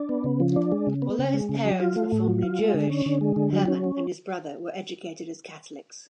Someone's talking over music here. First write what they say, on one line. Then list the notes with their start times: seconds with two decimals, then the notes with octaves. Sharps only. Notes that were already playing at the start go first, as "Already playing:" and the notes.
Although his parents were formally Jewish, Hermann and his brother were educated as Catholics.
Already playing: D4
0.09 B3
0.24 C#3
0.40 F3
0.56 D4
0.72 G#3
0.87 C#3
1.02 B3
1.19 C#3
1.34 G#3
1.49 C#3
1.65 F#3
1.80 F4
1.96 A3
2.12 A2
2.28 F#3
2.42 F4
2.59 G#3
2.74 D3
2.90 C#4
3.06 D3
3.21 G#3
3.36 D3
3.53 F#3
3.68 C#4